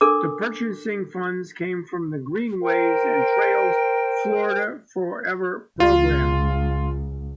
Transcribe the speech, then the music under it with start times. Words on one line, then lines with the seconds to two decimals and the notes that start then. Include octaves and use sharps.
The purchasing funds came from the Greenways and Trails Florida Forever program.
0.01 D4 A4 A#4 D6
2.61 A#4 C5 G5
5.80 C#2 F4